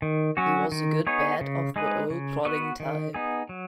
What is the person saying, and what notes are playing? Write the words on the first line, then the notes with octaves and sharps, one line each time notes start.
He was a good bat of the old plodding type.
D#3
F#3 C#4 F#4
D#3
B3 D#4 G#4 C#5
C#3
G#3 D#4 G#4 B4
C#3
B3 F#4 B4
D#3
B3 D#4 G#4
F#3